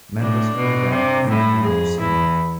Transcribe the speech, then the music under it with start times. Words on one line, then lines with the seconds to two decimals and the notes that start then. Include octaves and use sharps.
Members called out to find a new singer.
0.20 A2 D4
0.56 B2
0.92 C3 D4
1.28 A2 E4
1.64 F2 G#4
2.00 E2 E4